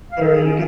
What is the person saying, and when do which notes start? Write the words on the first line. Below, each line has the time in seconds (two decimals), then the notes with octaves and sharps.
There you go
0.12 F5
0.23 A4
0.34 G#4
0.44 C#4